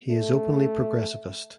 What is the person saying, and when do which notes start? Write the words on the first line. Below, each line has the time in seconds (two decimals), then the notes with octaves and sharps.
He is openly progressivist.
0.11 A3